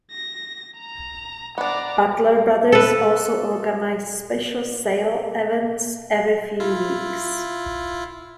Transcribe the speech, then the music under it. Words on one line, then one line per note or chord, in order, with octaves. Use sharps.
Butler Brothers also organized special sale events every few weeks.
A#6
A#5
B3 D4 D5 A#5
A4 B4
E4 F4